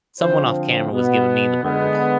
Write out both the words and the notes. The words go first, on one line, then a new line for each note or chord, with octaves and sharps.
someone off camera was giving me the bird,
D3 F3 C4 C5
B2 B3
D3 G#3 B3